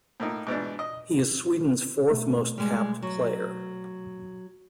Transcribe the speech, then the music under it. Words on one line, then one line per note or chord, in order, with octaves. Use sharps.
He is Sweden's fourth most capped player.
A2 A#3 D#4
G#2 B2 E3 D4
D#5
B2 A3
G3 G#3
F#3